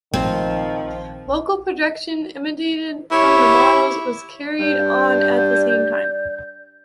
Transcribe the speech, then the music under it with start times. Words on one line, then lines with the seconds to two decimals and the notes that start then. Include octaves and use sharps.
Local production, imitated from the models, was carried on at the same time.
0.14 A#1 D#3 F3 C4
3.11 E4 G4 C#5
4.59 G2 D5 G6